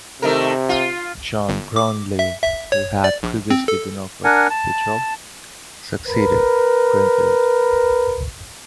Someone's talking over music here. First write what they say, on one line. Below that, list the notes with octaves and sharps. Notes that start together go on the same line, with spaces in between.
John Brownlee, who had previously been offered the job, succeeded Greenfield.
C3 D#3 A3 A#4
F4
G1
D6
E5
E5
C#5
D5
A#1
C4
A4
D4 A#4 F#5 G#5
A5
A#4 B4